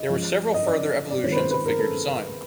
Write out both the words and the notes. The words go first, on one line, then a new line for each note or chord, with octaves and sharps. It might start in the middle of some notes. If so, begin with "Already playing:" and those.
There were several further evolutions of figure design.
Already playing: D#5
F3 G#3 C#4 F4
D#5
D5
D5
D#3 G#3 C4 F4 C#5
B4
C5
B4
A#4
A4